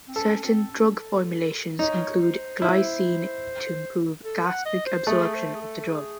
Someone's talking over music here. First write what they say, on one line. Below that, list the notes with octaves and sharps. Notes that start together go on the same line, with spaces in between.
Certain drug formulations include glycine to improve gastric absorption of the drug.
C4
C#4 A4
C4
C#4
A4
D#4 C#5
C5
E4
A4
F#5
D#5
C5
A3 G#4
C5
G#4
A4
A4
G#4